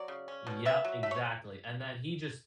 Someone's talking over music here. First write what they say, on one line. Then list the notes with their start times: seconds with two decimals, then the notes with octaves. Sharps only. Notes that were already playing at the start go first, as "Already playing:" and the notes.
Yep, exactly, and then he just
Already playing: F#3 D5
0.08 C#3
0.28 C#4
0.47 B2
0.65 B3 E5
0.85 F#3
1.03 A3 E5
1.11 C#5